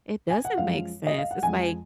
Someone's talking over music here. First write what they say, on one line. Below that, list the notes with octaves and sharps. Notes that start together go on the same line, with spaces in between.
It doesn't make sense. It's, like,
G#5
F#5
F#2 F3 G#3 F5
D#5
F5
F#5
F2 F3 G#3 G#5